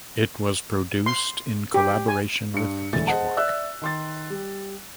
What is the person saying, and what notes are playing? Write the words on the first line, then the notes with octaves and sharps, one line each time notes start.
It was produced in collaboration with Pitchfork.
C6
G4
G#5
G2 C#7
E1 D2 E3 E4 A6
G#4 C5 D#5 F#5 A5
D5 E5 E6 F#6
D#3 C6 A6
G3